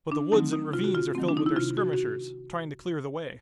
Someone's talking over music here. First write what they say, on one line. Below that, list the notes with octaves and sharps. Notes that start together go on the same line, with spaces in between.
But the woods and ravines are filled with their skirmishers, trying to clear the way.
D4
D#3 F#3 A3 C4 D#4
D#4
C3 F4
F#4
F4
D#3 F#3 A3 C4
D4
D#4
E4
C3 F4
F#4
F#4